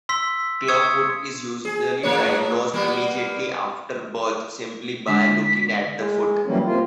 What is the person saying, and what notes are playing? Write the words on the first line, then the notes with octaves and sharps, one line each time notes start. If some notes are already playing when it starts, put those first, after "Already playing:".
Clubfoot is usually diagnosed immediately after birth simply by looking at the foot.
C6 E6 B6
C#6 D#6 E6 G#6 C#7
G#4
A2 A#3 C#5
G3 A#3 B3
D3 G#3 D4 B6
G#3
E3 F#3 G3 A#3 C#4
C3 A#3 F4